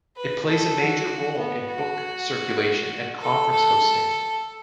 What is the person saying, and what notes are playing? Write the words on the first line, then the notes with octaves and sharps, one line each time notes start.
It plays a major role in book circulation and conference hosting.
B4
A4
F#4
B3
F#4
A4
A4